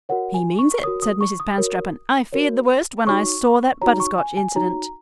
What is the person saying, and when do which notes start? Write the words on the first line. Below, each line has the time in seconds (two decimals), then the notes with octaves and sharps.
"He means it," said Mrs. Panstreppon; "I feared the worst when I saw that butterscotch incident."
0.09 F#4 A#4 C#5 F#5
0.34 G#5
0.59 C#6
0.83 F#4 A#4 C#5 D#6
1.02 D#6
1.21 C#6
1.40 D#6
1.58 F#4 A#4 C#5
2.33 F#4 A#4 C#5
3.07 D#4 F#4 C#5 C#6
3.81 D#4 F#4 C#5 A#5
4.00 C#6
4.18 G#5
4.37 G#5
4.55 D#4 F#4 C#5 A#5